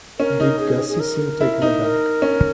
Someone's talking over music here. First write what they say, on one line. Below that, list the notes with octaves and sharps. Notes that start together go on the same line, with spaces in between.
Did Gussie seem taken aback?
C#4 A#4
D#4
G#4
G#4
A#4
E4
D#4
A#4
C#4